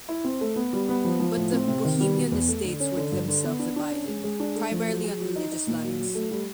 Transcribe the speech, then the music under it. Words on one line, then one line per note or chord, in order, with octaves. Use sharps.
But the Bohemian estates were themselves divided, primarily on religious lines.
E4
C4
A3
B3
G3
B3
F3
F3
A2
C4
C3
D#3
G3
B2
E2
A3
D3
C#4
D3
G2
D3
B3
D4
D4
C#4
G#3
G#3
D4
A3
F3
F#3
G#4
F#3
D#4
D#4
A#2
F#3
F#3
A3
G3